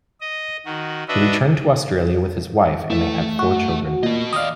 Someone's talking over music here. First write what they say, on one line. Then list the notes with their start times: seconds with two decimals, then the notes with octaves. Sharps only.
He returned to Australia with his wife and they had four children.
0.21 D#5
0.66 D#3 F#4
1.08 D4 F#4 B4 D#5 E5
2.90 E3 A3
3.39 F#4
4.03 A#2 F#4 D#5
4.33 D#3 D5 D#5 F5